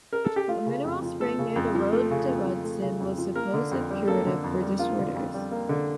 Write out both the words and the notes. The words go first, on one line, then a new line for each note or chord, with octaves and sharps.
A mineral spring near the road to Rudston, was supposed curative for disorders.
A#4
A4
G4
A3 F4
C#3
F2
F3
A3 A4
C#3
F2
F3
A3
C#3
F2
F3
A3
C#3
F2
F3
A#3 A#4
D3
F2
G3
A#3 A4
D3
F2
G3
A#3 F4
D3
F2
G3
A#3
D3